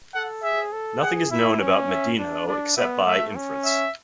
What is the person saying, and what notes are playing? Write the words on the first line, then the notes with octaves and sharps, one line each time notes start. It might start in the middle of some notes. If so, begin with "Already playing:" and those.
Nothing is known about Mendinho except by inference.
A4 F#5
G#4 E5
A4
G#4 F#5
E4 E5
C#4
E5
D4
D4 D5
B3 E5
A3 E5
C#4
E5